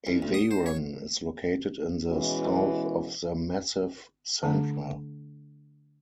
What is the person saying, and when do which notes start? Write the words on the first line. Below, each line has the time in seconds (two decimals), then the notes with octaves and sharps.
Aveyron is located in the south of the Massif Central.
0.07 C2
0.22 D2
0.34 D#6
0.51 C5
0.66 C#5
2.09 B2 E3 G#3 C#4 E4 F#4
4.43 D3 A3 D4